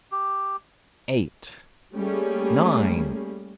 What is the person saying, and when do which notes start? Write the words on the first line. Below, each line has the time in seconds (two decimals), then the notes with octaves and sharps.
Eight, nine!
0.12 G4
1.94 G3 A3 A#3 C#4 G#4